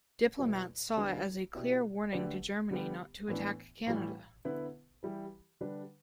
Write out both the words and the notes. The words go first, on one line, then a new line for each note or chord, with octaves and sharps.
Diplomats saw it as a clear warning to Germany not to attack Canada.
E2 B2 G3 E4 B4
E2 D3 G3 D4 B4
B2 B3 E4 G4 D5
D3 A3 G4 B4 D5
D3 G3 B3 G4
A2 E3 B3 D4
A2 E3 G3
D3 B3 E4 B4
E3 G3 E4 G4
D3 G3 D4 B4